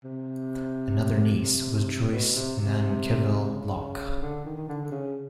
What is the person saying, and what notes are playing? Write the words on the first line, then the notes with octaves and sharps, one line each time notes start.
Another niece was Joice NanKivell Loch.
C3
B2
C3
C3
C#3
D3
D#3
D#3
D3
D3
C#3